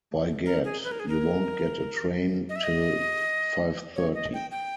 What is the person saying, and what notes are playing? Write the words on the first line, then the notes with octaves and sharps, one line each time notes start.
By gad, you won't get a train till five-thirty.
A#4
G#4
B4
A#4
G#4
A#4
D#5
E5
D#5
C#5
D#5
G5
G5